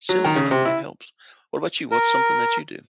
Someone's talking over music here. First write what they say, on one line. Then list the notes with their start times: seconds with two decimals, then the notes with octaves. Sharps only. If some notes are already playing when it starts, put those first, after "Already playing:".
silly, I know, but it helps. What about you? What's something that you do?
0.09 F#3
0.24 D#3
0.36 C#3
0.51 C3
0.65 E4
1.91 A#4